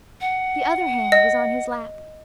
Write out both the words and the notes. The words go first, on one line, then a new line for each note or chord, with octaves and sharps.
The other hand was on his lap.
F#5
D#5